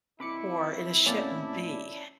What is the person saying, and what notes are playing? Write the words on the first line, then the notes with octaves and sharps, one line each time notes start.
or it, uh, shouldn't be.
C3 E3 E4 B5 D6 C#7
A2 A#3 C4 C#4 D5 A5